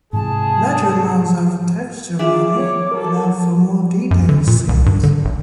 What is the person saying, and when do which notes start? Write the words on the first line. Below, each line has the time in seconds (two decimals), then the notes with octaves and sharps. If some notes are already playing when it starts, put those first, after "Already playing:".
Larger amounts of texture memory allow for more detailed scenes.
0.13 G#2 C3 E3 G#4 A5
2.19 D4 F4 G#4 E5 D6
2.58 C#5
2.92 F#3 A4 A#4
4.11 F#2
4.29 D3
4.47 A#2
4.69 C2
4.86 G2
5.03 D3
5.25 G#1